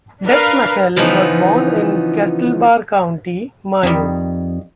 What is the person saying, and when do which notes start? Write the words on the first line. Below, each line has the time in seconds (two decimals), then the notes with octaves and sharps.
Des MacHale was born in Castlebar, County Mayo.
0.25 D4 A#4 B4 F5
0.96 C#3 E3 F3 B3 C#4 D#4
3.83 F2 D#3 G3